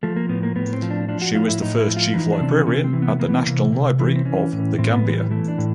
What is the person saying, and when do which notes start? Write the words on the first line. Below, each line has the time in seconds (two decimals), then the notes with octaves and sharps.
She was the first Chief Librarian at the National Library of The Gambia.
0.03 F3 A3
0.16 A#3
0.29 A2 B3
0.43 A#3
0.56 A2 B3
0.73 C4
0.82 F3
0.90 D4
1.08 F3 D4
1.22 F#4
1.35 A2 F4
1.48 E4
1.62 A2 D#4
1.79 E4
1.87 F3
1.97 F4
2.14 E3 D#4
2.32 D4
2.40 C3 C4
2.50 C#4
2.67 C3 C#4
2.84 C4
2.93 E3
3.02 B3
3.20 E3 A#3
3.29 B3
3.38 A#3
3.46 C3
3.72 C3
3.99 E3
4.16 C4
4.25 E3 C#4
4.52 A2
4.78 A2 C4
4.96 B3
5.05 E3 G#3
5.13 G3
5.31 E3 A3
5.48 D4
5.58 A2